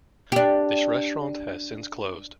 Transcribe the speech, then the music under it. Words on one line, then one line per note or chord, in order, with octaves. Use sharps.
This restaurant has since closed.
D4 G4